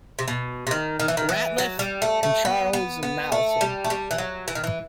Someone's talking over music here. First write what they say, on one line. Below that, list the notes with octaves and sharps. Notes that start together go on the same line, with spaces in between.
Ratliff, and Charles Mallison.
C3
B2
C3
D#3
D#3
E3
D#3
E3
F#3
G3
A3
A3
B3
B3
B3
A3
G3
A3
G3
E3
F#3
E3
D#3
E3